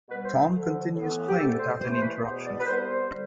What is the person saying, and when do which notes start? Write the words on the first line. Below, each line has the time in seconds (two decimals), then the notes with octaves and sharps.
Tom continues playing without any interruptions.
0.09 B2 G3 B3 B4
0.24 C5
0.51 D2 D3 F3
0.94 A2 E3 B3
1.28 G4
1.37 D2 D3 A3 A4
1.58 C5
1.80 G2 E3 A3 C5
1.91 C5
2.01 B4
2.23 E2 B2 B3 C5
2.44 D5
2.59 B4
2.65 C2 C3 G3 B3 C5
2.86 C5
3.09 D3 G3